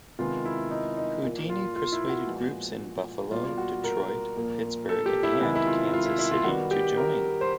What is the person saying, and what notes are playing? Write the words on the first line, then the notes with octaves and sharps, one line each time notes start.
Houdini persuaded groups in Buffalo, Detroit, Pittsburgh, and Kansas City to join.
C3 D#3 G#3 B3 F4
E4
D#4
D#4
A#2 F3 A#3
F4
F4
E4
F#4
A#2 F3 G#3 B3
B2 G3 A#3 F4
F#4
A#4
A#2 F3 A#3
A4
G4
E4
C3 D#3 G#3 B3 E4
E4
F4
F4
E4
E4
F4
D#3 G3 B3 F#4
G4
A#4
C5